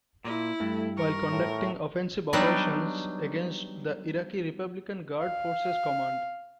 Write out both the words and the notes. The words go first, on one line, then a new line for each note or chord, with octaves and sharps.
While conducting offensive operations against the Iraqi Republican Guard Forces Command.
A#2 E4
G2 A3
A#4 C#6
A2
F#3 G3 B3 D4 D#4 D5
F5